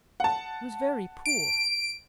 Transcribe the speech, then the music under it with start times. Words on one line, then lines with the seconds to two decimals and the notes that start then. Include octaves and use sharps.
He was very poor.
0.20 F#5 A5
1.26 D7